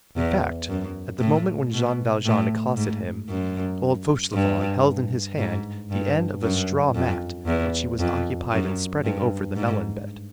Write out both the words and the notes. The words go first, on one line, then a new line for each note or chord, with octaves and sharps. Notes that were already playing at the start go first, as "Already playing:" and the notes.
In fact, at the moment when Jean Valjean accosted him, old Fauchelevent held in his hand the end of a straw mat which he was occupied in spreading over the melon bed.
E2
F#2
A2
B2
A2
G#2
F#2
G2
G#2
G2
F#2
F2
E2
F2
F#2
G2
G#2